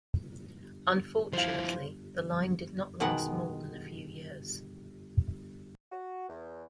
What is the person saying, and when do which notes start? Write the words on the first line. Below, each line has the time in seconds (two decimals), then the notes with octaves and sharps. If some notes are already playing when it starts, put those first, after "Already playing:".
Unfortunately, the line did not last more than a few years.
1.33 F3 E4 C5 F5
3.00 B2 D#3 G#3 F#5
5.92 F#4
6.29 E2